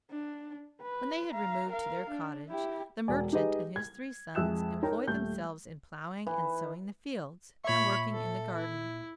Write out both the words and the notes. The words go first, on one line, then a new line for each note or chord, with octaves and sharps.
When they had removed to their cottage, the merchant and his three sons employed themselves in ploughing and sowing the fields, and working in the garden.
D4
B4
F5 A#5
A#4 F5
D4
E4 G4
E1 D5 G#5
D#4 G4 G#4 B4 D#5
G#6
F2 G#3 E5 E6 F#6 E7
D#4 A#4 C#5 G5 A#5
D#1 A3 G6
E3
A#2 C#5 E5 B5
A4
E4